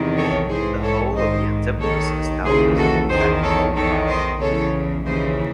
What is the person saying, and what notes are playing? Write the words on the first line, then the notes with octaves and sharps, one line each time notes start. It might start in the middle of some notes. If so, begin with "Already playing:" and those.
The hull of the Antipolis is now visible at low tide.
Already playing: E2 C3 D#3
A4 C#5
G#2 E3 G#4 C5
A4 C#5
G#2 D#3 C5 D#5
D#2 D#3 A4 C#5
D#2 C#3 E3 G#4 C5
F#4 A4
E2 D#3 G#4 C5
A4 C#5
E2 D#3 A4 C#5
C5 D#5
E2 C#3 E3 A4 C#5
D#2 C#3 E3 C5 D#5